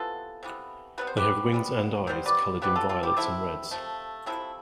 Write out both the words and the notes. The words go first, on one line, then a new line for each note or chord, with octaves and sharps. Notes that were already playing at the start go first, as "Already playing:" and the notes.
They have wings and eyes colored in Violets and Reds.
Already playing: C3 E3 B3 F4 A4
C3 E3 B3
C3 G3 B3 B4
C5
G4 B4
C3 G3 B3
C3 G3 B3 C5
B4 D5
C3 G3 B3 G4 B4
F4 A4
F4 A4
E4 G4
C3 F3 A3 C4 E4
C3 F3 A3
C3 F3 A3 C4 E4